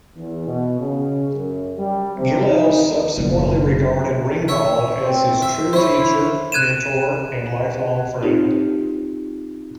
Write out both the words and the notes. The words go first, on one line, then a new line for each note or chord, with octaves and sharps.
Gilels subsequently regarded Reingbald as his true teacher, mentor and lifelong friend.
E2
B2
C#3
F#2
G3
C3
D#4
F#1 B2
C#5 E5
C4
E5
E4 C5 C#5
F#6 G#6 D#7 E7
C4 D#4 F4 G4